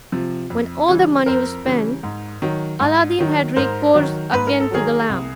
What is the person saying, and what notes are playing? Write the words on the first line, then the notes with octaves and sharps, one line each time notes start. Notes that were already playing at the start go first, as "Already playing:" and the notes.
When all the money was spent, Aladdin had recourse again to the lamp.
C3 F3
F2
C#3 E3 G3
F2 A#4 C5
C#3 E3 G3
G#2
D#3 F#3
G#2
D#3 F#3
G#2 A#4 C5
D#3 F#3
G#2 B4
A#4
A4
D#3 F#3 G#4 A#4
C2